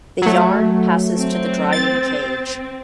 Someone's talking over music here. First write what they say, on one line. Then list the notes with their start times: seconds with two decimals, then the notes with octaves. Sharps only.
The yarn passes to the drying cage.
0.22 F#3 A3
1.18 C4
1.72 A6